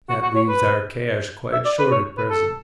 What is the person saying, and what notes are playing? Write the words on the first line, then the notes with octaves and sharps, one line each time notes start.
That leaves our cash quite short at present.
F#4
F#4
C#5
B4
E5
D5
B4
C#5
B4
A4